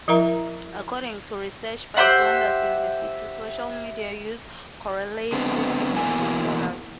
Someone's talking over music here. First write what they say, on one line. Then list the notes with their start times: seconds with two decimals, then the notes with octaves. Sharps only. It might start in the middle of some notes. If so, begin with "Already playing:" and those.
According to research by Flinders University social media use correlates with eating disorders.
0.08 F3 E4 A#4 E5 A#5
1.97 G4 C5 E5 F#5
5.32 D3 G#3 B3 C4
5.93 E2 B2 E3 A#3 G#5